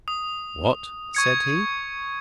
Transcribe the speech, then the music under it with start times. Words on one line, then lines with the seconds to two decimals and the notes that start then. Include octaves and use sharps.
"What?" said he.
0.08 D#6
1.15 C#6 G#6 C#7